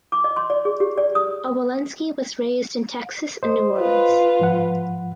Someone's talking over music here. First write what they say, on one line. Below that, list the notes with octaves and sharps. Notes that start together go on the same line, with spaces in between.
Obolensky was raised in Texas and New Orleans.
D6
D#5
C6
D5
G#4
G4
D5
D#6
C5 D#5
F4 B4
G#2 F3 F#5